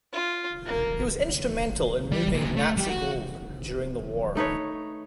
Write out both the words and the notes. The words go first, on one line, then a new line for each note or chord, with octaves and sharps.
He was instrumental in moving Nazi gold during the war.
F4
A#3
G3
D3 A#3
A3
G3 G4
F#4
A3 D#4 B4 C#5